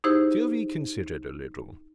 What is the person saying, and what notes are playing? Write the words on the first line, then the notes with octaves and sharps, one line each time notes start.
Sylvie considered a little.
D#4 E4 G4 G#4 C5